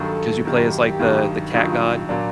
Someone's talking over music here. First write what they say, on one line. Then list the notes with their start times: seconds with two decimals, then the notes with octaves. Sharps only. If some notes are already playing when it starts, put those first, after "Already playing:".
'cause you play as, like, the the cat god.
Already playing: G2 D#3 F#3 A4
0.45 G2 D#3 F#3 G4
1.00 G2 D#3 F#3
1.54 G2 D#3 F#3 F4
2.09 A#2 F#3 A#3 D4